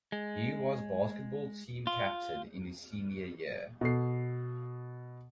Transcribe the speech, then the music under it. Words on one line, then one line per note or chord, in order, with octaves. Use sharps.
He was basketball team captain in his senior year.
G#3
F4
B2 A4 C7